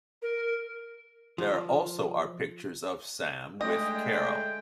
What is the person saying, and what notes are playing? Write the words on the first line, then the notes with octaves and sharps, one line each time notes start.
There also are pictures of Sam with Carol.
A#4
F3
D3 G#3 A3 D#5 G5